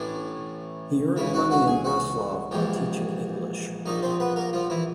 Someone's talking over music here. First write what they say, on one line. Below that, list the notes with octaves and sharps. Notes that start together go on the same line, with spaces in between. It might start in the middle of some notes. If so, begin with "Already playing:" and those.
He earned money in Breslau by teaching English.
Already playing: A1 A2 E3 D4 D5
C#2 C#3 E3 E4 E5
F#4 F#5
F#4 F#5
G#4 G#5
F#4 F#5
A#1 G#2 E3 G4 G5
A#1 A#2 D#4 D#5
C4 C5
B3 B4
A#3 A#4
F3 F4
E3 E4